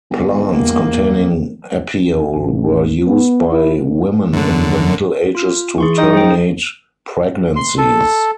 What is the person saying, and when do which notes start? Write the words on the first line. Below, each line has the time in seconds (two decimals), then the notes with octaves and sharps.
Plants containing apiole were used by women in the Middle Ages to terminate pregnancies.
0.11 G1
0.52 E2 A#3
2.36 A1
3.06 B3
3.52 E4
4.33 F#2 D3
5.35 F4 F6
5.78 E3 G#4 C6 C#6
5.98 D#4 G5 D#6
6.13 G#4 C5 G5
7.56 C6
7.78 A4